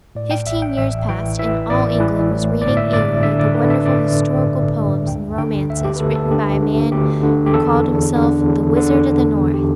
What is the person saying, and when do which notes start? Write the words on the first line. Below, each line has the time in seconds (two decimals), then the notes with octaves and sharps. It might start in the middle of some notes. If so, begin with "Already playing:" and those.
Fifteen years passed and all England was reading eagerly the wonderful historical poems and romances written by a man who called himself the "Wizard of the North."
0.15 A2 D5
0.31 G5
0.47 A1 E5
0.62 G5
0.78 A1 E5
1.09 E3 G5
1.39 E3 E5
1.70 A1 D5
2.00 E3 B4
2.31 A2
2.62 G1 D5
2.77 E5
2.92 G1 D5
3.23 D3 E5
3.39 D5
3.54 D3 B4
3.70 E5
3.84 G1 D5
4.15 D3
4.46 G2
4.77 G2
5.07 D2 G5
5.38 D3 G5
5.69 D2 E5
5.85 G4
5.96 B4
6.00 D2 A4
6.15 A4
6.31 D3 G4
6.62 D3
6.92 D2 G4
7.23 D3
7.46 G4
7.54 E2 A4
7.84 E2
8.16 D3
8.47 E2
8.77 D3
9.08 D3
9.39 E2
9.54 G4